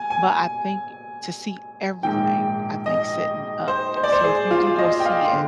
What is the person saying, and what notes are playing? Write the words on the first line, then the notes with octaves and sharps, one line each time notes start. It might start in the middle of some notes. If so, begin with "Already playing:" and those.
but I think to see everything I think sitting up So if you do go see it
Already playing: G#5
G#5
A#1 G#2 D#3 G5
D#5
C5
C5
D5
C5
G#4
F4
D#5
G5
F5
C6
D3